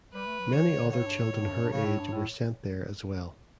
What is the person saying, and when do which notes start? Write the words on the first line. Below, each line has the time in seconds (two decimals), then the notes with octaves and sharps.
Many other children her age were sent there as well.
0.13 G3 B4
0.26 A3
0.39 F#3
0.52 E3 C#5
0.66 D3
0.80 D3
0.92 C#3 C#5
0.99 A2
1.06 G2
1.19 A2
1.33 A2
1.42 G2
1.53 F#2
1.62 G2
1.72 C#3 C#5
1.85 A2
2.00 G2
2.13 A2